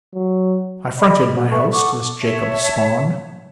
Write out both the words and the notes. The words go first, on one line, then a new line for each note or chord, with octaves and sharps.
I fronted my host, this Jacob Spawn.
F#3
D5 D#5 B5
F#4
A4 B4 E5 C#6
A4 F#5 C#6 D6
C#5 E5 A5